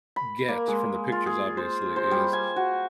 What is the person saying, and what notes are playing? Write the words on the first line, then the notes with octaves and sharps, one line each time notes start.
get from the pictures, obviously is,
B5
A#3
G#3
F4
G#4
C5
C5
G3
G#5
F#4